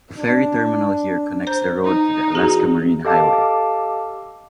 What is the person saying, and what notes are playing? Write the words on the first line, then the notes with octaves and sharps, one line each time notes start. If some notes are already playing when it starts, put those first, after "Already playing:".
A ferry terminal here connects the road to the Alaska Marine Highway.
D4
C5 A#5 G6
D#4
E2 F#4 G#4
G4 A4 D#5 F5 A5 D6